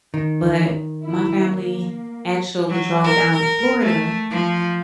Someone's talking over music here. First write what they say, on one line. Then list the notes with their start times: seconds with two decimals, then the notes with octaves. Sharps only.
but my family actually drove down to Florida,
0.14 D#3
1.04 E4
1.51 A#3
2.70 F#3
3.04 A#4
3.32 A#4
3.80 A3
4.31 F3